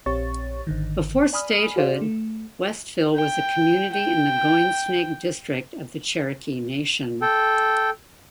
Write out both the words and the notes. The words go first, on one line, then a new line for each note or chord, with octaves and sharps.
Before statehood, Westville was a community in the Goingsnake District of the Cherokee Nation.
A#1 C4 G4 C#5 C#6 A6
G#1 D3 D#3
D5 G#5 B5 D#6 F6
F#4 G#4 C5 D5 F5
A3
G5
G5
A4 G5